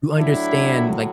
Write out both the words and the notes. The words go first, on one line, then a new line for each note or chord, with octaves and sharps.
you understand, like,
A2 F#3 D4 E4